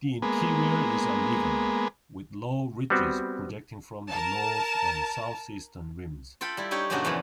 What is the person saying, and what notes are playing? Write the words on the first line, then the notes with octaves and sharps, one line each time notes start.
The interior is uneven, with low ridges projecting from the north and southeastern rims.
G#3 A#3 B3
G3 B3 C4 F#4
A#4 A5
F4 A4 G5 B5
G3 E4
D4 D#4 G4 C#5
F#2 A#2 C#3 D4 D#4 F#4
E2 A#2 E3 F3